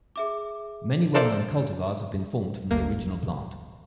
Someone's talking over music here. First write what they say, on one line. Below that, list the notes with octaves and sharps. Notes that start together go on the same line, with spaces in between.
Many well known cultivars have been formed from the original plant.
G#4 E5 D6
D4 F4 A4 A#4 C5 D5
G1 D2 A#3